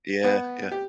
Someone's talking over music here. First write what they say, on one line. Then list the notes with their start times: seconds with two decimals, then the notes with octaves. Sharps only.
Yeah, yeah.
0.24 B3
0.71 G4